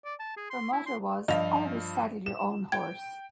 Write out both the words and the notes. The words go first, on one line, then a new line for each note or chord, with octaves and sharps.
Her motto was, Always saddle your own horse.
D5
A5
G#4
C6
E4
C6
G2 F3 D#5 F5 F7
E7
G5 G#6